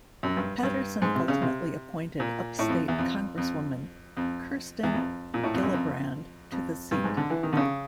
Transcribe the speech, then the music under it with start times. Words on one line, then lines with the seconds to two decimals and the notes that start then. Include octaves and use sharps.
Paterson ultimately appointed upstate Congresswoman Kirsten Gillibrand to the seat.
0.23 F#2
0.37 G2
0.63 G2
1.02 G#2
1.15 C3
1.28 C#3
1.42 C3
2.20 A#2
2.59 A2
2.69 F2
2.88 E2
2.98 F2
3.37 F2
4.17 F2
4.83 E2
4.94 F2
5.34 A#2
5.43 A2
5.54 F2
5.63 F#2
5.73 F2
6.52 F2
6.91 G2
7.04 G#2
7.17 D3
7.30 E3
7.43 D#3
7.53 D3
7.57 C#3